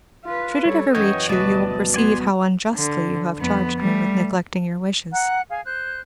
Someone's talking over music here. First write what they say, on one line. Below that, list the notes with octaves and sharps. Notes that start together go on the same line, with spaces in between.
Should it ever reach you, you will perceive how unjustly you have charged me with neglecting your wishes.
F4 B4
G3 A4 C#5
F#2 E3 F#3 C#5 D#5 G5
D2 B2 F#3 G3 B4 D5 A5
B3 D5 G#5 C6
D3
F2 B3
G3 A3
F#5 A#5 F#6
G#4 F5 G#5
C5 F#6